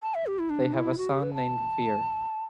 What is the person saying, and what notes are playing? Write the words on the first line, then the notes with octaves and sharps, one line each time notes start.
They have a son named Veer.
A5
E5
G4
E4
D4
E4
F#4
G4
B4
A5